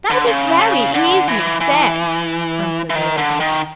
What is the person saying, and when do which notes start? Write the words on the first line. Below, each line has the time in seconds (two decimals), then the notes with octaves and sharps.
"That is very easily said," answered the Raven.
0.10 D3
0.27 C#3
0.60 C#3
0.94 D3
1.28 E3
1.61 E3
2.90 E3
2.95 D#3
3.17 D3
3.40 D#3